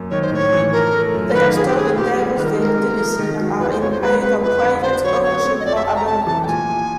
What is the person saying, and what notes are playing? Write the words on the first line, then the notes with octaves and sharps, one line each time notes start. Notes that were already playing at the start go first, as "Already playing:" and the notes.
They are stored in Taylorsville Tennessee and are in either Private ownership or abandoned.
Already playing: F#2 A#3
D#3 C#5
C5
A2 C#5
E3
F3 A#4
A3
F#2
C5
D#3 B4
F3 G#4
G4
A3 G#4
A#2 G4
G3 G#4
D#3 B4
A#4
A4
G#3 A#4
C3
F3
D#3
F#3
E2 B4
C5
C3 C#5
C5
G#3 B4
C4 B4
F2 B4
D3
D3 C5
F#3 C#5
A3 C#5
C4
D#5
F2 D5
E5
C3 A5
A#5
C3 A5
E3 A5
G5
A#2 G#5
F3